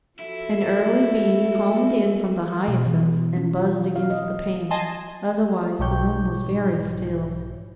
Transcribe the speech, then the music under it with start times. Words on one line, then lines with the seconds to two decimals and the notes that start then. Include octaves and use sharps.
An early bee hummed in from the hyacinths and buzzed against the pane. Otherwise the room was very still.
0.19 F3 E4 F#4 A4
2.68 B2
2.85 E3
3.37 C#4
3.58 F4
3.96 F5
4.10 D#5
4.71 D#5 G#5 A5 C6
5.79 B1 G#2 F#3 G4 C#5 G6